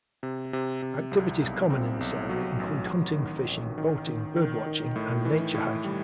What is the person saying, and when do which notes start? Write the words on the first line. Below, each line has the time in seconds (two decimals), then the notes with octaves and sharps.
Activities common in this area include hunting, fishing, boating, bird watching and nature hiking.
0.23 C3
0.53 C3
0.82 C3
1.11 C2
1.42 B1
1.70 C4
2.01 B1
2.29 F#3
2.60 A1
2.89 A1
3.18 D#3
3.48 A1
3.78 D#3
4.07 D#3
4.36 D#3
4.66 D#3
4.96 A2
5.25 E3
5.55 A2
5.84 G3